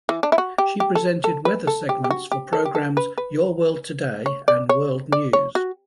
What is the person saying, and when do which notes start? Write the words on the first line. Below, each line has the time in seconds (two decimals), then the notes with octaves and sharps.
She presented weather segments for the programs "Your World Today" and "World News".
0.09 E3
0.23 D4
0.32 E4
0.38 F#4
0.58 G4
0.80 G4
0.95 A4
1.24 A4
1.45 B4
1.67 A4
1.89 G4
2.04 G4
2.10 F#4
2.32 G4
2.53 A4
2.65 G4
2.75 A4
2.97 B4
3.18 B4
4.26 C#5
4.48 D5
4.69 C#5
5.12 D5
5.33 C#5
5.55 F#4